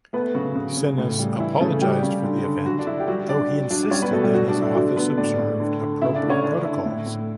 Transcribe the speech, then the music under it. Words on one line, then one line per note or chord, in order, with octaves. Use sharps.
Sinas apologized for the event though he insisted that his office observed appropriate protocols.
A3 B3 B4
C#3 F#3 F#4
C#3
C#3
A2
G3
E3 E4
C#3 A3 A4
F#3 G3 G4
C#3
D3
D3
D3 F#3 F#4
D4
D3 E4
G4
F#3 G3 F#4
G3 D4 D5
F#3
F#3 D4 D5
D5
G3 C#4 C#5
B3 B4
B2 A3 A4
G3 G4
F#3 F#4
D4
A3
E4
D3 F#3 F#4
D3 B3 B4
A2 D4 D5
A2
D3
D3
C#3 E4 E5
D4 D5
A3
C#4 C#5
D3 D4
D3 E4
A2
A2